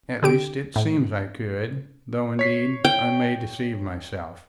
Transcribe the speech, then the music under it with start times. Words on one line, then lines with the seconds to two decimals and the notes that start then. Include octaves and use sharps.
At least, it seems I could, though indeed I may deceive myself.
0.23 D3 G4 D7
0.76 A2
2.39 C#5 B6 C7
2.85 G5